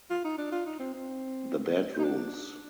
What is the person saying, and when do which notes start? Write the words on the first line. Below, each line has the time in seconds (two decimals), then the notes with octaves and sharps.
The bedrooms.
0.10 F4
0.24 D#4
0.38 D4
0.52 F4
0.66 D#4
0.79 C4
0.93 C4
1.99 D#4
2.04 D4